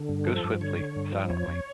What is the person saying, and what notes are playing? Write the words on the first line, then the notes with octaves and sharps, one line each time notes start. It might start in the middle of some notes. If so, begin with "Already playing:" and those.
Go swiftly, silently.
Already playing: D3
G2
F3 A4
G2
D3 C#5
D3
G2
F3
F2 C#5
F2